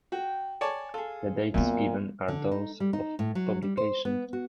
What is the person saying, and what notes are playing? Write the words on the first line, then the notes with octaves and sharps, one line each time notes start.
The dates given are those of publication.
F#4 G5
C#5 D5 G#5 A5
F4 G#4 A4
F#2 A#2 A#3 B3
D3
D#4
G3
D#4
A2
F#3
G3
C5
B3
F#4